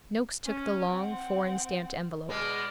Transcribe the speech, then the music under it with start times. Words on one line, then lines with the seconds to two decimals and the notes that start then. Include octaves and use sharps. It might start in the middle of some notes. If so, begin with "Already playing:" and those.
Noakes took the long, foreign-stamped envelope.
0.45 C#4
0.90 C4 F#5
2.29 B2 G#3 B3 D5 F6